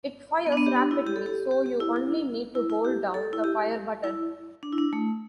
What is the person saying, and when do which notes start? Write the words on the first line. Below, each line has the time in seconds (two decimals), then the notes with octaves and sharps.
It fires rapidly, so you only need to hold down the Fire button.
0.46 B3
0.52 D4
0.57 B3
0.66 G4
0.76 D4
0.91 E4
1.07 G4
1.16 A4
1.26 G4
1.51 G4
1.66 G4
1.80 E4
1.96 E4
2.55 E4
2.70 E4
2.85 G4
3.14 A4
3.33 E4
3.44 G4
4.04 E4
4.63 D4
4.73 E4
4.78 D4
4.93 A3